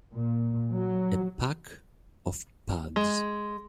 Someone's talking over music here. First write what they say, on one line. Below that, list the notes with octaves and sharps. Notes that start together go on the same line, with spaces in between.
A pack of Pugs.
A#2
F#3
G#3